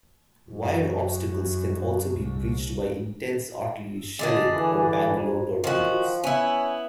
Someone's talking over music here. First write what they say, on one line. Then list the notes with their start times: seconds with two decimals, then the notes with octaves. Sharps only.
Wire obstacles can also be breached by intense artillery shelling or Bangalore torpedoes.
0.49 F#2
2.18 C2
4.19 D3 G#3 G#4 D5
4.55 E3
5.14 F2
5.64 D#3 F3 F#4
6.24 B3 C#4 E4